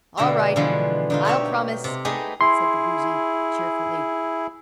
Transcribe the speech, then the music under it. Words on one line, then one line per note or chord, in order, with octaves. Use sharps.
"All right; I'll promise," said the Woozy, cheerfully.
B2 D3 A#3 G4 E5 A#5
B2 D3 E3 F3 G#3 B3
D3 D#4 F4
D#4 G4 C#5 E5
C3
A3 B3 D#4 G4 G#4 D#5
E4 G#4 C6